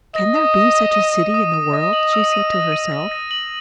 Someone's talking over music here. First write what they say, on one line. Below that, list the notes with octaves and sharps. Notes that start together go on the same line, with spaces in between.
"Can there be such a city in the world?" she said to herself.
D#5 A#6
D#6
D#6
D#6
D#7
D#6
D#6
D#6
D#5 A#6
F#7
E6
D#7
A#6
D#7
A#6
A#6
F#7